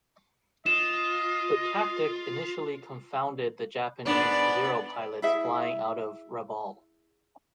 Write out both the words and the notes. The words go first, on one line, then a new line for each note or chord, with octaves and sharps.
The tactic initially confounded the Japanese Zero pilots flying out of Rabaul.
F4 D#5 E7
G#2 B3 D4 D5
E4 G#4 E5